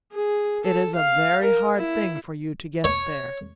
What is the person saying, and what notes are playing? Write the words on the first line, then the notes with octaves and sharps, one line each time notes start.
It is a very hard thing for you to get there.
G#4
A4
F5
A#4
E4
C#5